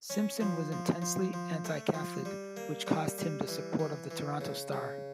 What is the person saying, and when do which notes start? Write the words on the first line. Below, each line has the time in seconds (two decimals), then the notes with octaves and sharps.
Simpson was intensely anti-Catholic which cost him the support of the "Toronto Star".
0.10 C#4
0.41 F3
0.72 F3
1.02 F3
1.33 F3
1.65 A3
1.94 F3
2.25 G3
2.57 A#3
2.87 G3
3.18 G3
3.48 E3
3.79 E3
4.11 E3
4.41 C#3
4.73 C#3